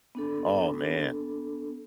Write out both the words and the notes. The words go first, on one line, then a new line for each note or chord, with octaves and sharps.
Oh, man.
B3 D4 A4